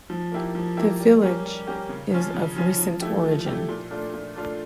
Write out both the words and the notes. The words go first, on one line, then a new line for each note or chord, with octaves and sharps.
The village is of recent origin.
F3
A#3 E4 G4
F3
A#3 E4 G4
G3
A#3 C#4 G4
G3
A#3 C#4 G4
C#3
F3 C#4 F4
C#3
F3 C#4 F4
F3
A3 E4 G4
F3
A3 E4 G4
A#2
A3 D4 F4
A#2
A3 D4 F4